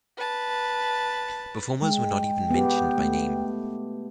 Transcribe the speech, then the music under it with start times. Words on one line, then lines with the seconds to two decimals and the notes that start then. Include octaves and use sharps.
Performers were not even mentioned by name.
0.17 B4 A5
1.82 G#3 G5
2.51 B3 G4
2.98 A3